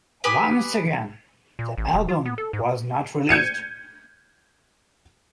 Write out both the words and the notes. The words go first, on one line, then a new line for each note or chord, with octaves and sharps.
Once again, the album was not released.
G4 B4 G#5 D#6
A#2
A1
E1
F4
B3
A4
G#2
G6 G#6 C#7 D#7